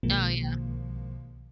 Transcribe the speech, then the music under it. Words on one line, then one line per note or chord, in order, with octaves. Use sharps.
Oh, yeah.
B1 B2 D#3 F3 G#3 A#3